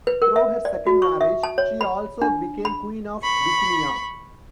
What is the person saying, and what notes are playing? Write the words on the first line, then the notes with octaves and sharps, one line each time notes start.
Through her second marriage, she also became Queen of Bithynia.
B4
A#4
E5
D5
F#4
C#6
E5
A5
C#5
B5
D4
B5
B5 C#6